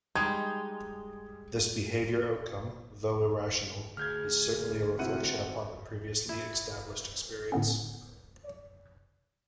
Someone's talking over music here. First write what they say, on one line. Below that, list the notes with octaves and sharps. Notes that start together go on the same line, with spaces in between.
This behavior outcome, through irrational, is certainly a reflection upon the previously established experience.
G3 G#3 D#4 G#6
D2 G#4 F6 G6 G#6
C3 E4 F#4 F#5 D#7
E4
A2 D3 B3 C#4